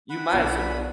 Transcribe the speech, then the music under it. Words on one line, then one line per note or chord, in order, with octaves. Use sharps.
you might as well
F#5 B5
B1 B3 D4 F4